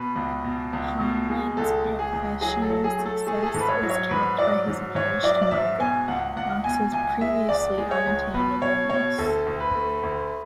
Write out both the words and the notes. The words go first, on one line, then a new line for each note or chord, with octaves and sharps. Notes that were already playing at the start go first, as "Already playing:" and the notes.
Hanlan's professional success is capped by his marriage to Margaret, Knox's previously unattainable niece.
Already playing: B2 B4
C#2
B2
C#2
B2
G#3
C#2 A4
C#2
G#4
C#2
F#3 G#4
A4
F#3
G#4
A3
A4
A3 G#4
G#4
A4
G#2
B4
C#5
F#3
C#5
G#2 B4
F#3 D5
G#2
G#2 C#5
F#3 D5
D5
G#2 E5
B2 G#5
C#2 F#5
C#2 F#5
B2 G#5
C#2 G#5
G#3 E5
C#2 D5
G#3
C#5
C#2
B2 B4
B2 C#5
B2 C#5
D2 A4
D2
B4
A3
D2